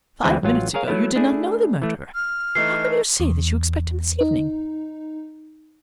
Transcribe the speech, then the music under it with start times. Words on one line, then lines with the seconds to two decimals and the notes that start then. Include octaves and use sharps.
"Five minutes ago, you did not know the murderer; how can you say that you expect him this evening?"
0.24 D2 E3 G#3 C4 E4 G#5
0.43 A1 F#3 F4
0.74 G#4 A#4 C#5 F5
0.87 F#3 A3 B3 E4
1.16 A3 D4 E4 G#4
1.82 E3 A3
2.15 F6
2.55 E3 A3 D#4 C7
3.20 E2
4.21 D#4